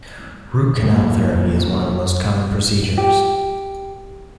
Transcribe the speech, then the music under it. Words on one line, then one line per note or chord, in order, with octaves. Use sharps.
Root canal therapy is one of the most common procedures.
D#1 F#2 A#3
G4